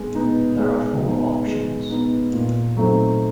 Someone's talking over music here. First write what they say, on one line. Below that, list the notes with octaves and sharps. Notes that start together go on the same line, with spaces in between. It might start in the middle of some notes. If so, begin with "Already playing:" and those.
There are four options.
Already playing: G#3 B3 D#4
B3 D#4
G#3
B3 D#4
G#3
B3 D#4
A#2
F#3 A3 C4 D#4